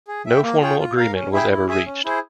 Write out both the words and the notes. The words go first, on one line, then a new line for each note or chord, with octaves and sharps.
No formal agreement was ever reached.
G#4
E5 G5
A#3
F4 G#4 C#5 G5
F4
A#4 F5
C#4
E4 G#4 E5 G5
E4
G#4 E5 G#5
C#4
E4 G#4 C5